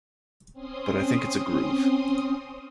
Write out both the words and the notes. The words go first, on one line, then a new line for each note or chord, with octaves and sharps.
But I think it's a groove.
C4 C#4 C6 D#6